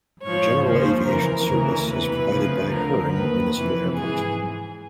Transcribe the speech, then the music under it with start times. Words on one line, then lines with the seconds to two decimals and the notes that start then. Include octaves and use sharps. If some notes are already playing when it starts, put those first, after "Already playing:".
General aviation service is provided by Hearne Municipal Airport.
0.22 G#2 F3 C#5
0.63 D#2 C#3 F3 C5
1.06 F2 C#3 E3 A#4
1.47 D2 C#3 E3
1.88 E2 C3 E3 B4
2.30 D2 C#3 F3
2.70 D2 D3 F3 A#4
3.12 D#2 D#3 B4
3.53 F2 C3 E3 B4
3.95 G#2 E3 G#4